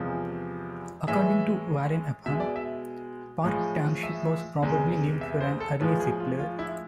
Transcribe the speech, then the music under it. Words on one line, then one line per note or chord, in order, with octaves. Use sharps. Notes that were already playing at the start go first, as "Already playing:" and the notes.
According to Warren Upham, Parke Township was probably named for an early settler.
Already playing: E2 C3 F3 G#3
A2 E3 G#3 E5
B2 G#3 E5
D5
E5
A2 F3 G#3
E5
E2 C3 G#3
E5
C5
A4
A2 F3 G#3 B4
G#4
F4
F4
E4